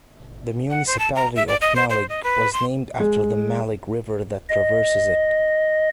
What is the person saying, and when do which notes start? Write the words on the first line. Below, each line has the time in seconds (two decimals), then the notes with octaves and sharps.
The municipality of Mallig was named after the Mallig river that traverses it.
0.70 F#5
0.87 C5
0.99 A5
1.16 A#5
1.36 E5
1.48 D5
1.61 D#5
1.76 C5
1.90 C5
2.09 D#5
2.24 B4
2.53 C6
3.00 G#3
4.49 D#5